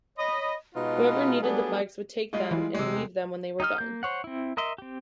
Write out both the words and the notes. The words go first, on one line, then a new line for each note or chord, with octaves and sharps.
Whoever needed the bikes would take them and leave them when they were done.
C#5 D#5 B5
B2 G#3 D#4 F4 F#4 B4
F#3 G3 A3 B3 D4 G#4
G3 G#3 F4 G#4 D#5
E3
C3 G#3
E2
D#4 G4 D#5 F6
A#3 G6
C5 C#5 F#5
C4 E4
A#4 D#5 E5 C6
C4 G4